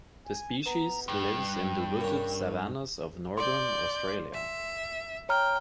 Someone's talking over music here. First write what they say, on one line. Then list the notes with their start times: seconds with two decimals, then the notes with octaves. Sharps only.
The species lives in the wooded savannas of northern Australia.
0.26 G#5
0.66 B3 A#5
1.08 G2 G5
2.01 A#3 C#4
3.38 D5 C6 G6
4.34 E5
5.29 C#5 G5 A#5 F6